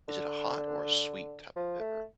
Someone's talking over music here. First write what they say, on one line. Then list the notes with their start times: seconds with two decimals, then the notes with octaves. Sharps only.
Is it a hot or a sweet type of pepper?
0.08 D3
1.56 F3
1.80 A3